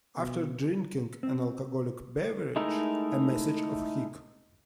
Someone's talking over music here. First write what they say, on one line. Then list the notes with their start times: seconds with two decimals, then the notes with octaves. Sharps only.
After drinking an alcoholic beverage, a message of Hic!
0.17 B2
1.23 C4
2.56 G#3 A3 D#4 E4 A#4